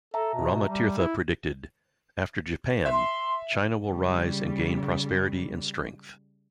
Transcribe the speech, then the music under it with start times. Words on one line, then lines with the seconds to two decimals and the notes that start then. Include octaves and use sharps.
Rama Tirtha predicted: After Japan, China will rise and gain prosperity and strength.
0.14 A4 E5 A5 A#5
0.34 B2
0.67 G3
0.98 E4
2.86 E5 C6
3.87 C#3 G3